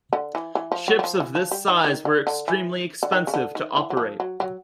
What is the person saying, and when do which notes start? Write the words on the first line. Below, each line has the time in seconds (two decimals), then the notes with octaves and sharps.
Ships of this size were extremely expensive to operate.
0.13 D3
0.35 E3
0.55 E3
0.72 F3
0.88 F#3
0.99 F#3
1.04 F3
1.20 E3
1.35 F3
1.51 G3
1.68 D#3
1.84 D#3
2.05 D3
2.27 D3
2.48 E3
3.03 D3
3.12 D#3
3.27 C#3
3.34 D3
3.55 D#3
3.77 E3
3.90 F#3
3.97 F3
4.20 F#3
4.40 F#3